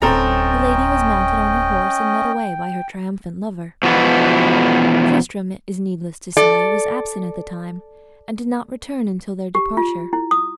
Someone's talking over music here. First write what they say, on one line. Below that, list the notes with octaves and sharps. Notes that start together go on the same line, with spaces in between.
The lady was mounted on her horse, and led away by her triumphant lover. Tristram, it is needless to say, was absent at the time, and did not return until their departure.
D1 C4 C#4 A4 D#5 G5 A#5
B2 E3 F3 B3
A4 D5
G4
F4
E4
D#6